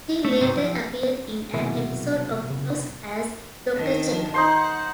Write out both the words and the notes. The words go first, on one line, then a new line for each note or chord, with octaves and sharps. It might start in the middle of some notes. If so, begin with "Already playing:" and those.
She later appeared in an episode of "House" as Doctor Cheng.
A3
G#2 C3 F#3 D#4
F3 E4 G4
F#1 C2 B2 D#3 E4 B4
C#3
D#3 D4
D#4 C5 F#5 C6